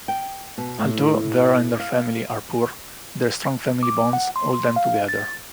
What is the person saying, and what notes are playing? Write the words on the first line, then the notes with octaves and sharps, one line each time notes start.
Although Vera and her family are poor, their strong family bonds hold them together.
G5
B2
A2
F5
D6
F#5
C6
F5
A6